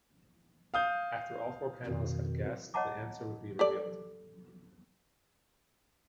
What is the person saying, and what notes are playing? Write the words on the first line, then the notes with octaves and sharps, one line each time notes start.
After all four panellists had guessed, the answer would be revealed.
F5 D#6 G6
F2 B2 D#3
C#5 D#5 F#5 A5 A#5 D6
G4 A4 D5